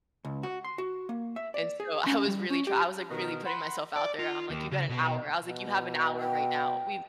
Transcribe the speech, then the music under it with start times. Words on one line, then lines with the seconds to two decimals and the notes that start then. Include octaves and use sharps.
And so I was really try I was, like, really putting myself out there. I'm, like, "You got an hour." I was, like, "You have an hour right now." We've
0.25 C#2
0.43 F#4
0.64 C6
0.78 F#4
1.09 A#3
1.36 E5
1.54 D5
1.80 G#4
2.06 C#4
2.28 G3
2.50 C#4
2.67 G4
3.11 B2 D#3 A#4
3.45 F#5 B5 C6
3.96 D5
4.19 F4
4.50 D#2
4.71 C#3
4.89 B2
5.47 B2
6.20 G5